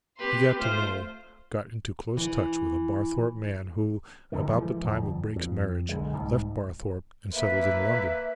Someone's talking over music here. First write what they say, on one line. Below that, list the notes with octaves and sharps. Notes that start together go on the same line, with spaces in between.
He got to know--got into close touch with a Barthorpe man who, about the time of Brake's marriage, left Barthorpe end settled in London.
C4 G4 B4 C6
A3 F4 C5
E3
D1 F2 D3 D#3
E3 F3 G#3 A3
G1 E2 F3
F2
B1 D3 G#3
C2 G#2
A#3 B4 E5